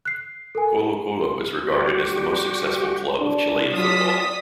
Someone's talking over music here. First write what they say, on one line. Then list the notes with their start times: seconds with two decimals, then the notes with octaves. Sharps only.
Colo-Colo is regarded as the most successful club of Chilean football.
0.05 F#6 C7
0.55 A4 A#4 G#5
1.72 G3 F#4 G4
3.19 D4
3.73 F#3 F4 D5 A5 D#6 B6